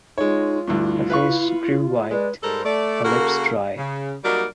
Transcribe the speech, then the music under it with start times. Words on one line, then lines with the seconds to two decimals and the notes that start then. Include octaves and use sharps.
Her face grew white, her lips dry.
0.18 G#3 D#4 F4 C#5
0.68 D2 G2 E4
1.10 E4 B4 F5 C#6
2.11 G#3 B4 D5
2.43 G#2 G3 A4 A#4 C5
2.65 A3 D5
3.04 C#3 A#3 F#4 A4 A#4
3.77 C#3
4.23 F#3 G3 A#3 D#4 A#4 D5